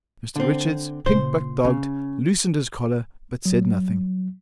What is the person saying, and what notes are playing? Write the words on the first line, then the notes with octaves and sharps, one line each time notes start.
Mr Richards, pink but dogged, loosened his collar, but said nothing.
D3 C4
A#2 C#3 C5
C#3 C#4
F#3